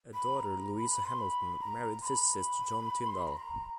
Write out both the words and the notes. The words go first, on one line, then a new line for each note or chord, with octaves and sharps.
A daughter, Louisa Hamilton, married physicist John Tyndall.
B5
A#5
B5
B5
C6
B5
A#5
C6
B5
C6
B5
A#5